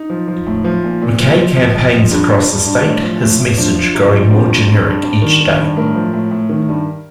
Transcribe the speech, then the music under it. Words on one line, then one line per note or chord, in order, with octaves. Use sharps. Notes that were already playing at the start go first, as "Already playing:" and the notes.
McKay campaigns across the state, his message growing more generic each day.
Already playing: D#4
F3
F3
A2
F3
A#2
A#2
F3
F3
F2
F2
F3
G2 D4
G2
G2
G2
A2
F3
A2
A2
F3 D4
F3
C3
F3
G2 C4
G2
G2
G2
G2 D4
D#3
D#3
G2
A2 A#4
F3
A2
A2
D#3
G2